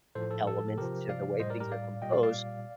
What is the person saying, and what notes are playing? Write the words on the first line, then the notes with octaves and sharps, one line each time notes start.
element to the way things are composed.
A2 F3 A4 C5
A4
A4
C3 F3 G4 A#4
D5 F5
A2 G3 C5 D#5
A#4 D5
G4 A#4
D5 F5
A#2 G3 D#5 G5
D5 F5
D5 F5